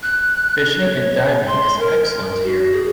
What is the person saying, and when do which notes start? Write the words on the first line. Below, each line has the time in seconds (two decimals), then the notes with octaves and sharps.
Fishing and diving is excellent here.
0.03 F#6
0.79 C#5
1.47 C6
1.79 A#4
2.43 F#4
2.73 G#4